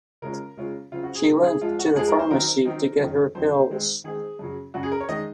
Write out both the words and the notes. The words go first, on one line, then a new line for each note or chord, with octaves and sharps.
She went to the pharmacy to get her pills.
C#3 G#3 C#4 F4 A#4
C#3 G#3 C#4 F4
C#3 F#3 C4 F4
F#4
G#4
C#3 F#3 C4
G#4
G#2 F3 G#3 F4
F#4
G#2 F3 G#3 G#4
A#4
C5
D#3 F#3 C4 D#4 A#4
D#3 F#3 C4 D#4
F#2 D#3 F#3
F#2 D#3 F#3 C5
D#3 G#3 C4
D#3 G#3 C4 G#4
F#2 C#3 F#3
F#2 C#3 F#3 F#4
G#4
A#4
C#5
D#3 G#3 D#4 D#5